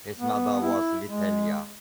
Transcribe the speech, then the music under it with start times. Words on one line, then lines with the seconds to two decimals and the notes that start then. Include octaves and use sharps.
His mother was Vitellia.
0.19 B3
0.63 E4
1.07 G#3